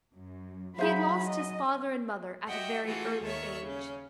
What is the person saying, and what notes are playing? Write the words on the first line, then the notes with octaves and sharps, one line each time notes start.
He had lost his father and mother at a very early age.
F#2
F#3 D#4 G#4 C5 E5 F5 B5 G6
D#5
F#4 G4 D#5 E5 F#5 G5
E3 A3 F4 F#4 G#4 A4
D#2 D#3 A4 C#5 E5 C#6
C#3 C#4